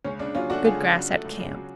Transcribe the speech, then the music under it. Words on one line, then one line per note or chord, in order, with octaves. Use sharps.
Good grass at camp.
C#2 C#4
C#3 D4
F#3 C#4 F4
A3 D4 F#4
C#2 F4 G#4
C#3
F#3
A3
C#2
C#3
F#3